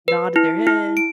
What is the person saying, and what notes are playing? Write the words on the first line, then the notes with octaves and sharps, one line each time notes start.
Nodded their head.
B4
E4
E4
D7